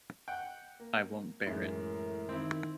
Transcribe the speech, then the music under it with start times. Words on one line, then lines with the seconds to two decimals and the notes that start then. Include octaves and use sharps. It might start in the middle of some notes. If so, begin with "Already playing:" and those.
I won’t bear it.
0.28 F#5 G5
0.80 A#3
1.46 F#2 A2 E3 G#3 A#4
2.29 D#3 C4 E4